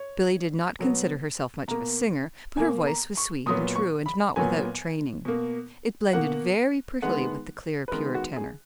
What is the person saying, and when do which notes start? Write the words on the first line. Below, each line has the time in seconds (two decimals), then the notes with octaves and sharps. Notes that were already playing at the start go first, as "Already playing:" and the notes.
Billy did not consider herself much of a singer, but her voice was sweet and true, and not without training. It blended very prettily with the clear, pure tenor.
Already playing: C#5
0.79 B2 F#3 B3
1.68 B2 A#3 A#5
2.57 B2 A#3 G#5
2.87 A#5
3.17 C#6
3.46 A#2 F#3 B3 D#6
3.76 C#6
4.06 B5
4.36 A#2 F#3 B3 G#5
5.25 B2 A#3
6.13 B2 A#3 F#5
7.02 D#3 G#3 B3 F#5
7.88 B4
7.92 D#3 G#3 B3 A#4
8.15 F#4
8.36 G#4